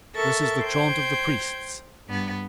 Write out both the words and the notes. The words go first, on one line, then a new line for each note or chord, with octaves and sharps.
This is the chaunt of the Priests.
A4 A#4 E5 C#6 A6
C5 G5 G6 G#6
G2 B3